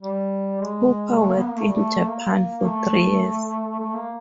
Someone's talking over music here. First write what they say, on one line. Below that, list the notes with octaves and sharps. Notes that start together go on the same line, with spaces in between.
Hooper worked in Japan for three years.
G3
G#3
A3
A#3
B3
A#3
A3
G3
A3
A#3
A3
A3
A#3